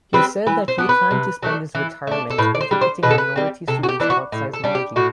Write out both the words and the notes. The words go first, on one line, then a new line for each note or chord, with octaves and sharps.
He said that he planned to spend his retirement educating minority students about seismology.
G3 C4 B4
E3 B4
C5
B3 D4
B4
C3
F#3 A3 D4
E3
A3 D4
A4
A2 B4
D5
C5
G3 D4
C5
B2 B4
A4
B4
G3 C4
C3 A4
F#4
G4
E3 B3 D4
F#4
A2
A4
G3 D4
G4
A2 F#4